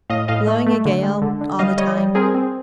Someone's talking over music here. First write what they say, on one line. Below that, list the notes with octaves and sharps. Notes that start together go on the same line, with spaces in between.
Blowing a gale all the time.
A2 D#5 F5
A2 D#5 F5
A3
A3
D3
G#3
D3
D3
G3 D#5 F5
G3 C#5 D#5
G3
C4 G#4 A#4
C4